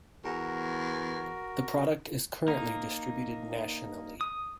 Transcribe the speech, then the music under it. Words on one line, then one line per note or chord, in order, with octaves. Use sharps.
The product is currently distributed nationally.
E2 F#4 A#4
A#3 D#4
D#6